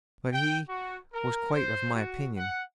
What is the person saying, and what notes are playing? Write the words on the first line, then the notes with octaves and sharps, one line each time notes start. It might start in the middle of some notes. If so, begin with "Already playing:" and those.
But he was quite of my opinion.
G5
F#4
A#4
C5
F#4
F#5